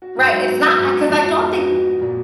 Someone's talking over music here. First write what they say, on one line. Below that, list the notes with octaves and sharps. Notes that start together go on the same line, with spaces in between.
Right, it's not I 'cause I don't think
F#4
G#2
F#3
B3
F#4
G#2
F#4
F2
F3
B3
F#4
F2
F#4
A#2